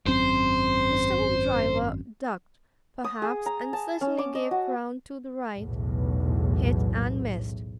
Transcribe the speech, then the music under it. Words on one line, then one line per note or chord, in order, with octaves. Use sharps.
Mr. Hoopdriver ducked perhaps and certainly gave ground to the right, hit, and missed.
G#1 F#2 C4 C5
D#6
G#4
A#5
A5
C#4
D6
D#5
F#4
B1 E2 A2